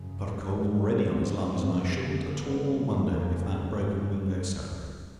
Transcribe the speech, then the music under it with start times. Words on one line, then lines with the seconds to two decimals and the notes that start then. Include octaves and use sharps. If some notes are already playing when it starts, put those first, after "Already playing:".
He's got a cold already on his lungs, and I shouldn't at all wonder if that broken window settled him.
Already playing: F#2 C#3
0.37 G#2
1.04 G#2 C4
1.37 C4
1.70 F2 C#3 B3
2.04 A#3
2.36 G2 B3
3.02 F2 C#3 A#3